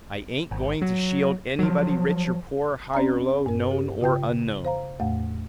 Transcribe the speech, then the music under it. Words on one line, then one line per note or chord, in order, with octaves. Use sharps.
I ain't going to shield anybody, rich or poor, high or low, known or unknown!
G#1
F#3
F3 F#3
C4 C#4 D5 A#5
G2 A#4
G4
C#3 F4 G5 G6
C5 F5 A#5
E2 A2 A3 F#5